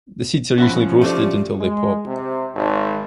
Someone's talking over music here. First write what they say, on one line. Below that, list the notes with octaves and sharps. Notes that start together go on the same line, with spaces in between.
The seeds are usually roasted until they pop.
F3 C#4 F#4 E5 B5
A3 C4 D4 G4
G#3
C3
G#1